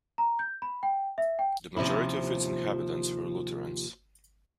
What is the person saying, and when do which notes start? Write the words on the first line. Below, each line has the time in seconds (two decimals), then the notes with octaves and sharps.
The majority of its inhabitants were Lutherans.
0.18 A#5
0.39 G6
0.62 B5
0.83 G5
1.18 E5
1.39 G5
1.77 D#2 C3 F3 C#4 E4